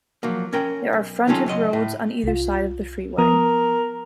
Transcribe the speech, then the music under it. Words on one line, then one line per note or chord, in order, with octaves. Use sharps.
There are frontage roads on either side of the freeway.
F3 F#3 A#3
C#4 A#4 G5
B1
D#3 F#3 C#4 F4 A4
C#2 F#3 D#5 C6
A2
C2 F4
F3 B3 A#4 D#6